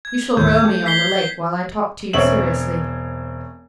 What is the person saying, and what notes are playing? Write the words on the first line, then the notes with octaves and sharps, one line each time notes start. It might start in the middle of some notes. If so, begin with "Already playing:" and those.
"You shall row me on the lake while I talk to you seriously."
G#6
D#2 A2 C5 G6
A3 G4
B6 C7 G7
E1 C4 C#5 E5 F#7